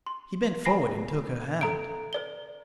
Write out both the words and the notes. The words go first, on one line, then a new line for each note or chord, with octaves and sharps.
He bent forward and took her hand.
C6
G#5 B5 A#6 C7
A4 A#5 D7
B4 D5 G7